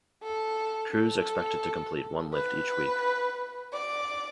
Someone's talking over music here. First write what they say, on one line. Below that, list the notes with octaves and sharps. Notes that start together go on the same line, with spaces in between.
Crews expected to complete one lift each week.
A4
A4
B4
D5